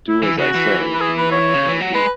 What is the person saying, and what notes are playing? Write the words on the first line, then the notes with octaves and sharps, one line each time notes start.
Do as I say and not as I do.
E4
E3 E4
C#3 F#4
E3
B4
G#4
B4
C#5
C#3
E3
F#3
G#3 B4